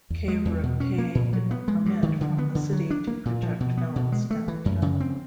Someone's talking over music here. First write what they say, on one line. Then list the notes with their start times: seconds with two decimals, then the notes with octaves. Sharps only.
Caver obtained a permit from the city to project films downtown.
0.10 E2
0.28 G#3
0.45 E2
0.63 B2
0.80 C#4
0.98 A#3
1.15 A#2
1.33 F#3
1.51 B3
1.68 G#3
1.86 G2
2.03 D#3
2.21 D3
2.38 B3
2.55 D3
2.73 F#3
2.91 D4
3.07 A#3
3.25 A#2
3.43 F3
3.60 B2
3.77 B3
3.96 B2
4.12 G#3
4.30 A3
4.48 E3
4.66 F#2
4.82 C#3
5.00 C4